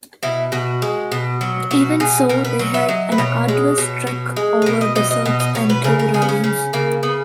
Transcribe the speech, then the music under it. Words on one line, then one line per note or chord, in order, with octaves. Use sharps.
Even so, they had an arduous trek over deserts and through ravines.
B2 E4
B2 F#4
G#3
B2
F#3
B2 F#4
B2 G#4
B2 A#4
B4
F#3
E5
F#3 D#5
B4
B2 C#5
G#3
B2
B2
G#3
B4
B2 A#4
D#5
B2 D#5
D#5
B2 D#5
D#5
B2 C#5
B4
C#3 A#4
A#4
C#3 G#4
B3
C#4
C#3 C#4
C#3 A#3
C#3 B3